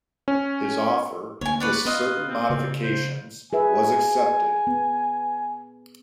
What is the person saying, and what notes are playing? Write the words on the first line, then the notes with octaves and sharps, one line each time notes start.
His offer, with certain modifications, was accepted.
C#4
D2 A#3 C#5 G#5
B4 C#5 D5 F#5
B3 F4 B4 D#5 F5
C4
C#3
C5
G#4 B4 E5 G#5
B3